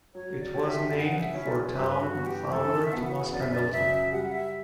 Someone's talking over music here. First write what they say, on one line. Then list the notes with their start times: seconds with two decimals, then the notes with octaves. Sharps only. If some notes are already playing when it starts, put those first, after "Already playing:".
It was named for town founder Thomas Pendleton.
0.15 F#3 C#5
0.41 D5
0.54 C#4 G4 C#5
0.67 E5
0.89 E5
0.94 C#3 F#5
1.12 F#5
1.20 E5
1.34 F#3 C#4 E4
1.47 D5
1.67 C#5
1.73 G2 B4
2.00 F#4
2.14 E3 B3
2.26 G4
2.52 E3 A4
2.83 E5
2.93 B3 F#4 F#5
3.32 F#2 D5
3.41 E5
3.51 D5
3.72 C#3 F#3 E5
4.12 G3 F#5
4.32 E5